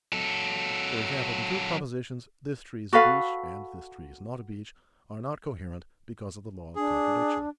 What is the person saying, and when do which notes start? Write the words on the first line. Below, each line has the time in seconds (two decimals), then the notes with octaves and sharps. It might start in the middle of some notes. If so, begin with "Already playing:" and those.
For example, the two propositions, 'this tree is a beech' and 'this tree is not a beech', are not coherent, because of the law of contradiction.
0.13 F#3 A4
2.93 F#4 A4 B4 F5
6.76 D4 G#4